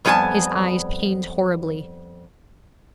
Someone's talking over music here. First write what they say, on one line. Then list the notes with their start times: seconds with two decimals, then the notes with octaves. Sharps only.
His eyes pained horribly.
0.05 F2 G3 B3 F#4 G#5 A5